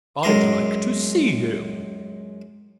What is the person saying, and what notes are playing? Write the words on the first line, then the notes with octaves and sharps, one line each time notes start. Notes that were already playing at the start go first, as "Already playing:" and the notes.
"I'd like to see him."
F#2 G#3 A#5 C6